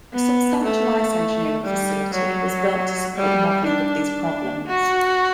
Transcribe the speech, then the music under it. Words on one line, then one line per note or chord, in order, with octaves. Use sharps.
A substantial ice engineering facility was built to support modeling of these problems.
B3
A3
G3
F#3
G3
D4
F#4